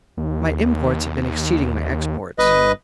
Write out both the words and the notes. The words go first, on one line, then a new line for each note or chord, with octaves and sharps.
My imports have been exceeding my exports.
D#2
G1 B4 D#5